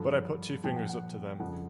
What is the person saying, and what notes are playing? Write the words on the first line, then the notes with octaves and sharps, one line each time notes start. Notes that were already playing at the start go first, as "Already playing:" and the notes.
But I put two fingers up to them.
Already playing: G2 D3 F3
A#2 F3 G5
F#5
F#5
F2 C#3 F3 F#5